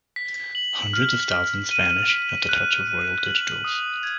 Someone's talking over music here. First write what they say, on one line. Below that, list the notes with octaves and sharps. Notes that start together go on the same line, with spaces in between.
Hundreds of thousands vanish at the touch of royal digitals.
B6
F#7
F6
F6
D#7
B6
F#6
D#7
F#7
D#6
G#6